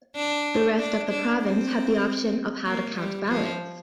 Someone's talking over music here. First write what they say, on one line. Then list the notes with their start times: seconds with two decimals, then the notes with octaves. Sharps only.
The rest of the province had the option of how to count ballots.
0.16 D4
0.79 D4
1.10 D4
1.41 C4
2.65 A#3
2.97 G3
3.28 F3